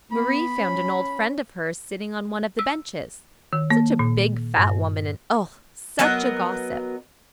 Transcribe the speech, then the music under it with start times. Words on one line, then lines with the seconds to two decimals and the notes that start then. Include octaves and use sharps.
Marie found an old friend of hers sitting on one of the benches,--such a big fat woman, and oh, such a gossip!
0.13 B3 B5
0.60 C#4
2.59 E6
3.53 D#3
3.70 A#3
3.99 A#2
4.57 G2
5.99 F#3 B3 A#4 D#5